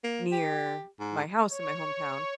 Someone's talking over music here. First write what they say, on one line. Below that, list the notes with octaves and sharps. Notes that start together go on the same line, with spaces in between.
near my house in my hometown.
A#3
G4
G#2
C#5